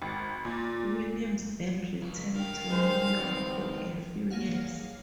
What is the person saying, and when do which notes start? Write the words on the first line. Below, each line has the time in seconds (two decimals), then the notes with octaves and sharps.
Williams then returned to New York for a few years.
0.02 G#1
0.45 A#2
2.02 C#2 C#3
2.36 A#4 F5 G5
2.67 G#3 C5
3.18 C#2 D#3 B3 C4
4.30 A#3 G#4 C#5 F5 F#5